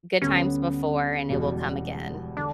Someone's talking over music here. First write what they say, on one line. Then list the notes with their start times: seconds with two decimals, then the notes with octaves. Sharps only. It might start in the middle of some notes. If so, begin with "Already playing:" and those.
good times before, and it will come again.
0.22 D2 D3 G3 B3 C#4
1.29 E1 E2 B2 G3
2.37 D3 D4